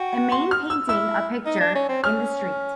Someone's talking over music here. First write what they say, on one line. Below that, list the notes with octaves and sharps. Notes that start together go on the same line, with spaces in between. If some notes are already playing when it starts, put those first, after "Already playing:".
A main painting a picture in the street.
Already playing: F#4 G5
C6
F6
E6
E4 E6
D#4
D4
C#4
C4
C#4 F6